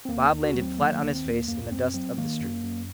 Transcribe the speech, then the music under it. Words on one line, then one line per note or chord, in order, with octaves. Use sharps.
Bob landed flat on his face in the dust of the street.
C4
D#2 A#3
D#2
F#4
F#3
C4
D#3 A#3
A#3
D#2
C4
D#2
A#3
F#2 A#3
F#2 C4
F#3 C4
D#3 A#3
F#2
F#2